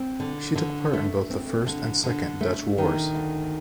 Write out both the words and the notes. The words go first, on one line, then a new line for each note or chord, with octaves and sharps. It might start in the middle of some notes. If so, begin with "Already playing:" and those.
She took part in both the First and Second Dutch Wars.
Already playing: C4
D3
D3
A3
C4
D3
D3
A3
D#3
D2